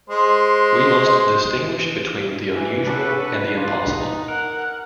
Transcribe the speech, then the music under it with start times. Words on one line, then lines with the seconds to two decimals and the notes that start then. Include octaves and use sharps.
We must distinguish between the unusual and the impossible.
0.10 G#3 C5 C6
2.55 E3
2.87 D4 F#4 A4 B4
3.57 D4 F4
3.92 D#4
4.28 A#4 F#5